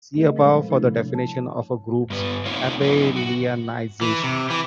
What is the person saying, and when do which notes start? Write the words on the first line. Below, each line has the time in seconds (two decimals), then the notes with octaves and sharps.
See above for the definition of a group's abelianization.
0.14 A3 C4 G#4 A#4 D#5
0.36 A#2 F3 G3 G#3 C5 B5
0.56 A4 F5
0.68 C3 F3 A3 D4 E4
0.94 F3 C#5
1.15 A5
2.10 G2 B3
2.46 A#3 C4 D#4 F4 C#5
2.81 F#3 B3 D#4 E4
3.16 F#4
4.01 E3
4.24 C3
4.50 E3